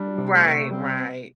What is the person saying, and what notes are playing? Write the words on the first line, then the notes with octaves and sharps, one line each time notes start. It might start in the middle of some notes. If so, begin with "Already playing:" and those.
Right, right.
Already playing: G3 D4
C3
A3
C3
G3 C4